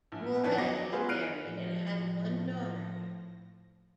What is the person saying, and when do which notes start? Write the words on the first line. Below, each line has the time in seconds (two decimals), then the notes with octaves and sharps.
Mouret married and had one daughter.
0.12 A#1
0.43 F2 D#3 B3 C#4 D4 D5
0.58 F#3 D#5 D6 A#6
0.93 B3 F4 G#4 B4 C5
1.09 F6 F#6 C7 D7 D#7
1.42 A2 F3 A#6